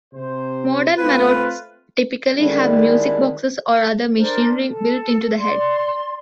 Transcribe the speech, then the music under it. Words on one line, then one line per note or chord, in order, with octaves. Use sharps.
Modern marottes typically have music boxes or other machinery built into the head.
C3 C5
A3 C4 F4 B4
D3 D#3 G3 G#3 D4 E4
D4 A#4 C5
A4
D5 C6